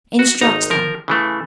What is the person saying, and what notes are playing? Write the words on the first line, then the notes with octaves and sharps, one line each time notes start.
"Instruct them."
F#4
G#1 D#4 A#5
F3 A#4
C#3 E3 A3